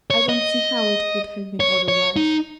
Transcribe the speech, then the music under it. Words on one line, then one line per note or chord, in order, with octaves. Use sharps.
I don't see how it could have been otherwise.
C#5
D#5
C#5
C#5
D#4